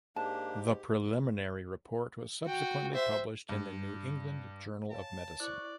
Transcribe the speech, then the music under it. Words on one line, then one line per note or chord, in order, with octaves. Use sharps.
The preliminary report was subsequently published in "The New England Journal of Medicine".
G#2 A#3 D4 G4 A5
F#4 G5
C5 E5
G2
C#5 F5 G#5 A5
E4 C5 D5 C#6 F#6